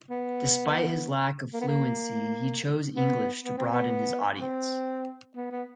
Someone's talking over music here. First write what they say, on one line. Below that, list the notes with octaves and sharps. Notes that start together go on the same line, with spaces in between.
Despite his lack of fluency, he chose English to broaden his audience.
B3
A#3
B3
A#3
B3
B3
C4
B3
C4
B3
B3